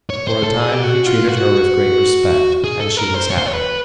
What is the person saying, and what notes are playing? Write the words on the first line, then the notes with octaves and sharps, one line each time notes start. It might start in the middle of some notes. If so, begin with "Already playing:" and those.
For a time he treated her with great respect, and she was happy.
C#5
C5
A4
G#4
G4
F#4
F4
F#4
G#4
A4
A#4
C5
C#5
C5
C#5
B4